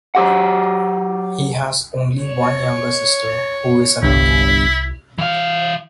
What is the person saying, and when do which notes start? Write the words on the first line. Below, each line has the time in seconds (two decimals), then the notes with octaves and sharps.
He has only one younger sister who is an architect.
0.15 F#3 G4 F#5
2.23 C#5
4.03 G1 C2 G2 E4
5.18 E3 F5